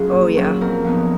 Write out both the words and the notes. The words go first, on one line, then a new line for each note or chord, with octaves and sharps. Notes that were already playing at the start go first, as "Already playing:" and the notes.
Oh, yeah.
Already playing: F#3 C#4 F4 G#4
A#2
F#3 C#4 F4
F2 A#4
F3 B3 D#4